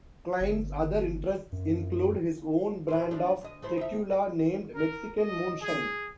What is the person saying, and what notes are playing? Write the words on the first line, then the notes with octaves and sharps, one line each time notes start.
Clyne's other interests include his own brand of tequila, named Mexican Moonshine.
G1
F#2
B2 D#3 C5
F3 A3 D4
D2 D#5
A3 E4 C5
D#4 E5
F#4
A#4
D#5
G#4